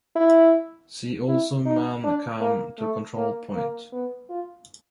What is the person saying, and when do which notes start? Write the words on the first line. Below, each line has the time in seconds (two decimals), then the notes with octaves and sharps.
See also Man Kam To Control Point.
0.16 E4
1.28 E4
1.66 D#4
2.04 D4
2.41 A#3
2.79 A3
3.16 A#3
3.55 A#3
3.93 B3
4.29 F4